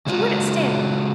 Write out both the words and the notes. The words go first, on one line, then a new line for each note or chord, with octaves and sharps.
She wouldn't stand it.
C#3 G#3 F4 F#4